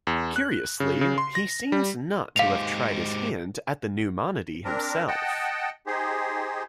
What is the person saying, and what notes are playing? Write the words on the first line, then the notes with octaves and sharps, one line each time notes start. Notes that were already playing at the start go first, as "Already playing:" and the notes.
Curiously, he seems not to have tried his hand at the new monody himself.
E2
F#6
C#3
C#3
C6
A#6
G3
G#2 G4 F5 F7
C4 D4 A#4
D#5 F#5 G5 A5
D#4 G4 G#4 C5